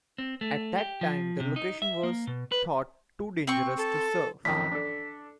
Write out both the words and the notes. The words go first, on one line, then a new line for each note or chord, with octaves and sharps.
At that time the location was thought too dangerous to surf.
C4
A3
G4
F3
C3
D#4
E5
A#3
B2
B4
C4 C#6
A4
A1 F2 D#3 B6
D4 A4